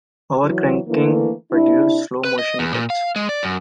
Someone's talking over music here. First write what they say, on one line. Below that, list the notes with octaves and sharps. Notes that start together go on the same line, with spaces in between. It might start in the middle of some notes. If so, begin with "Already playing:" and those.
"Overcranking" produces slow motion effects.
E3 F#3
D3 E3 A3 A#3
C3 D4 E4
B4
D#5
E2
A#2
F5
G#3
D5
F#2